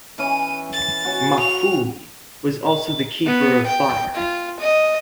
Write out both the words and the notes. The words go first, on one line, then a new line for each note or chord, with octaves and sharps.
Mafui'e was also the keeper of fire.
E3 C#4 D#7
A6
C#4 F#4
F7
B3
G5
F4
D#5